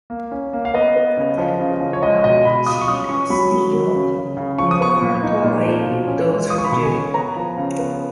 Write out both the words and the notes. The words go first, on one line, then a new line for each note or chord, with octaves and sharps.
A cadet will not lie, cheat, or steal, nor tolerate those who do.
A#3
C#4
A#3
F5
B3 D#5
B3
C#3
F3
C#3
F3
C#5
G#3 D#5
B2 D#5
B2 B5
F4 D#6
C#6
C#4 D#6
C#4 C#6
F#3 B5
F#3
F#3
C#3
C#3
C#3
F3 C#6
D#6
B3 C#6
A#2
D#4
A#2
F3
B2
C#4
G#3
F4 D#6
C#6
B5
B2 C#6
G#5
C#4
B3 A#5
F3
C#3
B3